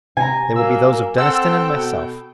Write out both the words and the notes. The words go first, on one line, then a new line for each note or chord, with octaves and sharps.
They will be those of Deniston and myself.
C3 G#5 A#5
F#3 A#3 A#4 E6
C4 A4 F#5 G5 E6
B2